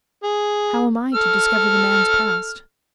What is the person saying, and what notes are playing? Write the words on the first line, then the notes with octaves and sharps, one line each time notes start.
"How am I to discover the man's past?"
G#4
A4 F6